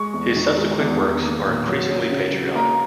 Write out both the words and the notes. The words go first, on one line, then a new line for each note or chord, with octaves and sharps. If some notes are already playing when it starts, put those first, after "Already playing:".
His subsequent works are increasingly patriotic.
Already playing: G#3 C#6
E2
D#3
G#3
E2
D#3
A#3
A#2
F#3
C#4
C#3
F#3
A#3 A#5